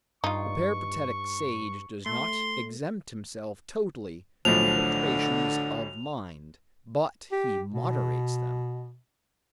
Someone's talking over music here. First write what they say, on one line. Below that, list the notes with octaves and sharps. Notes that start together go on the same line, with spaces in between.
The Peripatetic sage does not exempt himself totally from perturbations of mind, but he moderates them.
G2 D#4 F4 C#6
A3 C6
B1 A2 D3 F3 F7
G4
B2